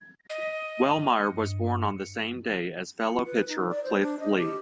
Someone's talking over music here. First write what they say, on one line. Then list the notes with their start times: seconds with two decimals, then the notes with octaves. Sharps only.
Wellemeyer was born on the same day as fellow pitcher Cliff Lee.
0.30 D#5
1.31 G2
3.08 F4
3.26 B4
3.49 D#4
3.69 D5
3.84 C5
4.01 D4
4.20 D#5
4.37 G4